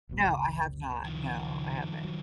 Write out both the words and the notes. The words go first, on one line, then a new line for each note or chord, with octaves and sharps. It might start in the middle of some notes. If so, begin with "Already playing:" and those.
No, I have not. No, I haven't.
D1 A1 B2
F#1 C#2
D#3 F3
F#3